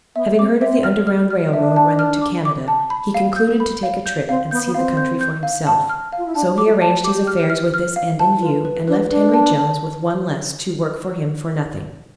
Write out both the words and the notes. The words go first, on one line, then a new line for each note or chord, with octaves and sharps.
Having heard of the Underground Rail Road running to Canada, he concluded to take a trip and see the country, for himself; so he arranged his affairs with this end in view, and left Henry Jones with one less to work for him for nothing.
B3 E5
C4 D6
C4 E5
F6
F6
F6
C4
D4 E5
A5
F6
D6
D6
A5
B5
F5
G6
B5
F5
G6
C4 F5
B3 G6
B3
C4 F5
G6
G6
F5
A5
F6
F5
F4
E4
D4 A5
G4 D6
F4
G4
A5
G4 D6
F6
F6
F6
F5
A5
E4
F4 B4
B4
D4 B4
D4 B4
A5
A5